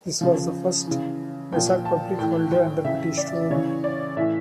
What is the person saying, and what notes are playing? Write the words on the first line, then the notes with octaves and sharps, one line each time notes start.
This was the first Vesak public holiday under British rule.
C#3 F3
C#3 E3
A#2 F3 G5
A5
A2 E3 G5
G5
C#3 E3 E5
D5
C#3 E3 C#5
D5
A2 E3 E5